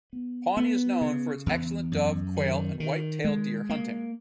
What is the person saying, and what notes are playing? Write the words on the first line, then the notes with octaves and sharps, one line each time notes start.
Pawnee is known for its excellent dove, quail, and white tail deer hunting.
B3
B3
C#3
E2
F#2
D#3
D#3
G#3
A#3